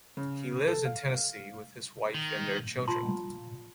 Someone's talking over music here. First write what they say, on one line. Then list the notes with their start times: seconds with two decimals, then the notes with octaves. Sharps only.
He lives in Tennessee with his wife and their children.
0.17 C#3
0.68 A4
0.85 F5
2.15 D#3
2.88 F4 A5 A#5 C6